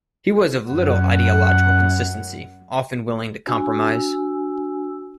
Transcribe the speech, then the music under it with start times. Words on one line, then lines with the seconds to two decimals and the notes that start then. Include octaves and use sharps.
He was of little ideological consistency, often willing to compromise.
0.68 F#2 F#5
3.47 D4 F#4 G#5 E6